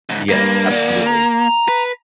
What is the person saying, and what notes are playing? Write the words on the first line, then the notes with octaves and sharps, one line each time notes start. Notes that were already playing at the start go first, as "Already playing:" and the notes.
Yes, absolutely.
C#2 G#2
C#2 G2 A#3
B3 D5
A#5
B4